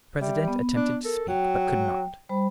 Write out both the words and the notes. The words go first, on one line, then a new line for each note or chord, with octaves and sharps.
The president attempted to speak, but could not.
G3 E5
B3
D4
A4 A#4
F#3 G5
G3 C5 B5